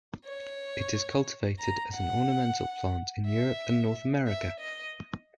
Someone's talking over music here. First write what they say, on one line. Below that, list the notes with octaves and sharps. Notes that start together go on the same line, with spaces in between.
It is cultivated as an ornamental plant in Europe and North America.
C#5
A#5
F#5
E5
E5
D#5